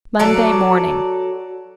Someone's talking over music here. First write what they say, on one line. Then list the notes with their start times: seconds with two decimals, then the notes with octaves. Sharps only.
Monday morning.
0.19 F#3 A4 D5